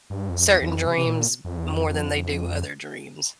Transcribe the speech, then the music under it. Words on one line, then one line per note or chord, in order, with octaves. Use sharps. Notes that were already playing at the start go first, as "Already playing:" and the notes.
certain dreams more than they do other dreams.
G2
F2
E2
E2
F2
C3
C3
A#2
F2
E2
F2